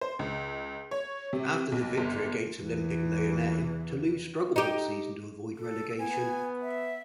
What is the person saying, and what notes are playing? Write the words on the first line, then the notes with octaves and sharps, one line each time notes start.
After the victory against Olympique Lyonnais Toulouse struggled all season to avoid relegation.
C5
C#2
C#5
C3
B1
G1
E2 E3
D#4 G4
A4
B3 G#5
E5